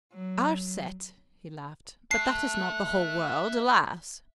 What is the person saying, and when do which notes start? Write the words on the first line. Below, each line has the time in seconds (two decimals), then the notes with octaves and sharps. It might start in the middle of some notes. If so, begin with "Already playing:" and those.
"Our set," he laughed, "but that is not the whole world, alas!"
0.13 F#3
2.11 E5 A5 F#6 C7